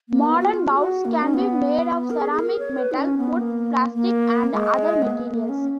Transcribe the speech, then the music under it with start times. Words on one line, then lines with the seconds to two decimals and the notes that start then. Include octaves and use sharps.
Modern bowls can be made of ceramic, metal, wood, plastic, and other materials.
0.09 A#3
0.28 B3
0.40 F#4
0.46 F4
0.70 G#4
0.77 F#4
1.05 A#3
1.23 C#4
1.34 B3
2.10 A#4
2.20 G#4
2.32 G#4
2.40 A#4
2.59 C#5
2.79 B4
2.92 D#4
2.98 C#4
3.17 B3
3.36 A#3
3.94 A#3
4.53 G#3
5.02 B3
5.10 A#3
5.30 A#3
5.49 C#4